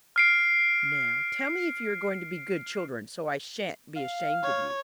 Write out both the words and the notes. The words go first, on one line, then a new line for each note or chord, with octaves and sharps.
"Now, tell me if you are going to be good children, so I shan't be ashamed of you?"
F6 C7 D7
F5
C#5